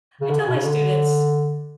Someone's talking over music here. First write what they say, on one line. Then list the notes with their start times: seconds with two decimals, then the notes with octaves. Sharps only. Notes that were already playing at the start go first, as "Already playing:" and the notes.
I tell my students,
0.21 C#3
0.30 D3
0.39 C#3
0.47 B2
0.56 C#3
0.66 D3